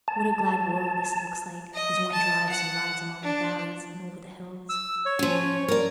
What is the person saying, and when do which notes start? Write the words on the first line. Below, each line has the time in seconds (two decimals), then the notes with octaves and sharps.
What a glad world this looks like, as one drives or rides along the valleys and over the hills!
0.08 A5
1.74 D#5
2.12 A5
2.49 F#5
3.23 D4
4.69 E6
5.06 C#5
5.19 F3 C#4
5.68 A#4 D5